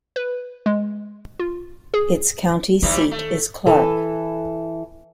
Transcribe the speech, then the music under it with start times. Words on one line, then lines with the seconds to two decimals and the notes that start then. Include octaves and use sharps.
Its county seat is Clark.
0.16 B4
0.66 G#3
1.39 F4
1.94 G#4
2.82 C3 D#3 E3 G3
3.11 A3
3.66 E3 A4